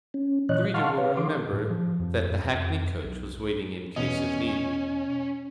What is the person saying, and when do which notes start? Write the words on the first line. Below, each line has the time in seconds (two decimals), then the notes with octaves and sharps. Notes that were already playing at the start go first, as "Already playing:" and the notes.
The reader will remember that the hackney-coach was waiting in case of need.
0.14 C#4
0.49 A#2 E3 C#5 D#5 F#6
0.74 F5 F#5 A5 C6 C#6 F6
0.97 B4 C#5 F5
1.17 E3 C6 D6
1.52 A2
1.70 F3
1.99 F2
2.30 F#2
2.44 F2
3.04 B1
3.96 E2 B2 C#4 D#5